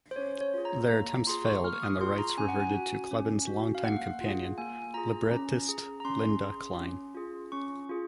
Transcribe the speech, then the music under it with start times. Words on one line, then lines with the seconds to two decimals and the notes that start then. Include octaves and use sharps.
Their attempts failed and the rights reverted to Kleban's longtime companion, librettist Linda Kline.
0.11 C5
0.16 C#4 C#5
0.41 C#5
0.54 F4 G#4
0.65 A#5
0.90 A#3 A#5
1.09 A#5
1.27 F4 G#4 C6
1.45 C#6
1.64 A#3 F6
1.74 C#6
1.82 D#6
2.00 F4 G#4 C6
2.18 A#5
2.37 C#4 G#5
2.49 F#5
2.60 G#5
2.74 F#4
3.11 C#4
3.47 F#4
3.75 F5
3.84 A#3 F#5
4.21 F4 G#4
4.58 A#3 G#5
4.94 F4 G#4 A#5
5.31 C#4 A#5
5.69 G#4
6.00 A#5
6.05 C#4 C6
6.42 G#4
6.79 C#4
7.15 F4 G#4
7.52 C#4 C#6
7.89 F4 G#4